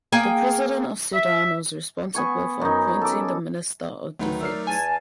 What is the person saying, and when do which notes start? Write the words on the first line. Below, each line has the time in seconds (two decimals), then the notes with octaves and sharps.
The President of Sudan was responsible for appointing the Minister of Defence.
0.12 A#3 G#4 G5
1.13 E5
2.15 B3 G#5 C#6
2.61 F#2 D#4
3.01 A4 D6
4.19 D2 D#3 F#3 A3 D#4 B4
4.41 A#4 D5 E6 F6 C7
4.67 E2 G#5 A5